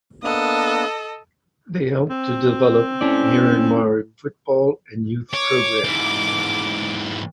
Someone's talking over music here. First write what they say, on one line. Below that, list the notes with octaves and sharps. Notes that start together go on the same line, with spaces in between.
They help to develop Myanmar Football and Youth program.
A#3 B3 D4 A4 D#5
C4
A2 C#4 D5
C#5 D6
G#2 E3